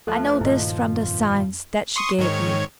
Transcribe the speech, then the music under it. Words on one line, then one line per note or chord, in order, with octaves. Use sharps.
I know this from the signs that she gave you.
D#2 F3 A3 A4 A5 F#6
G2 A#2 D#3 E4 D#5
F2
C6 C#6 D#6
G#2 D#3 C#5